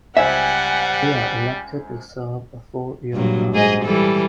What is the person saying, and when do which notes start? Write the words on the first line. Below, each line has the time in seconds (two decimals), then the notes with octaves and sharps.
They are elected to serve a four-year term.
0.17 C#2 G3 C5 E5 F#5 G#5
3.13 G2 A#2 F#3
3.53 G#2 G#4 D#5
3.85 E3 G3 A4